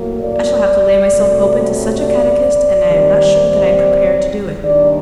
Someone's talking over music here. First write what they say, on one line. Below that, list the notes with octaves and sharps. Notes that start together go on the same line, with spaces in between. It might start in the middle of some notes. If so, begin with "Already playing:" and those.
I shall have to lay myself open to such a catechist, and I am not sure that I am prepared to do it.'
Already playing: A2 F#3 A#3
D5
C3 F#3 A3
D5
D#2 D#3 G3 C4
D#2 D#3 G3 D4 D5